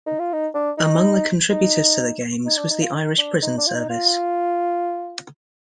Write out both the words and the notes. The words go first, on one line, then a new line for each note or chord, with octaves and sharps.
Among the contributors to the Games was the Irish Prison Service.
D#4
F4
D#4
D4
D#4
D#4
D#4
D4
D#4
F4
D#4
D4
D#4
D4
F4
D#4
F4